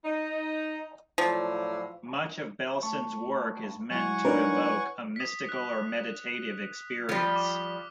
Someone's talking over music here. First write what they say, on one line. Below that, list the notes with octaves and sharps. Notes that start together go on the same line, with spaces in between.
Much of Belson's work is meant to evoke a mystical or meditative experience.
D#4
A2 F3 F#3 D5
A3 A5 C#6
F#3 G#3 E4 F#5 G#5 C#6
D4 D#4 A#4 B4 C#5
D#6 B6
F#6
F3 G3 D#6 F6
D6